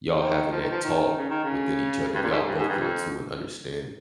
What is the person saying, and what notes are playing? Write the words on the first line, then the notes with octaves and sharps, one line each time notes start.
y'all having that talk within each other, y'all both coming to an understanding.
D#3
F3
D#3
F3
D#3
C#3
D#3
C#3
G2
A#2
G#2
G2
G#2
G2
F2